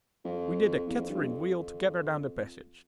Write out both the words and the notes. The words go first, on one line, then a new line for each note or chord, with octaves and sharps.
We did a Catharine-wheel together down the passage.
F2
E2
F2
G2
F2